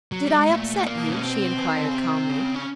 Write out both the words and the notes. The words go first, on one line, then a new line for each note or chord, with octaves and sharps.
"Did I upset you?" she inquired calmly.
F#3
G3
G#3
A#2 A3
A#2
A#3
B2
C#4
C4
E3
D#3
D3
C#3
C3
C#3
C#4